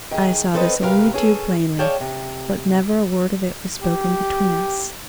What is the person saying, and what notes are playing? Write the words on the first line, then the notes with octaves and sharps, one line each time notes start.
I saw this only too plainly, but never a word of it was spoken between us.
D#3 G#4
C4 A4 B4 C5 D#5
C3 A#4 B4 F5
C#4 G#4 A4
G#4 C#5 D5 F5 G5 A5
C3
G4